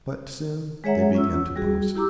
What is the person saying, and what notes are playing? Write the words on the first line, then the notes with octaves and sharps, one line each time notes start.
But soon they began to boast.
G#3 G#4 C#5 E5 F#5 A#5
C#4 F4 E6
G3 F#4 G#4
E4 G4 A#5 D6 E6